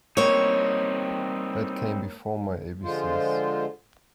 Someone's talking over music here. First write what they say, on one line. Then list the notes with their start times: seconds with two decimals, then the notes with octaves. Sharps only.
That came before my A B C's.
0.17 G3 A#3 C4 D#4 C#5
2.83 D3 F3 G#3 F4 C5